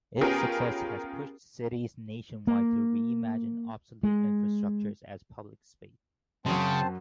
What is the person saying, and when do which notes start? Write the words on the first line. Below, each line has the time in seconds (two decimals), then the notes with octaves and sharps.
Its success has pushed cities nationwide to reimagine obsolete infrastructure as public space.
0.21 B3 C#4 F4 G4 G#4 A#4
2.47 A#3
4.03 G#3
6.46 F#2 C#3 F#3 C4 C5 A5